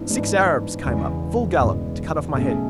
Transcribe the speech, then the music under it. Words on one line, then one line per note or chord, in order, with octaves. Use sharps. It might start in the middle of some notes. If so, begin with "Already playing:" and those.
Six Arabs came up, full gallop, to cut off my head.
Already playing: G#2 E3 B3 D4
G#2 E3 B3 D4
E1 E2 C#3 G#3
E1 E2 C#3 G#3
B1 B2 A3 C#4 G#4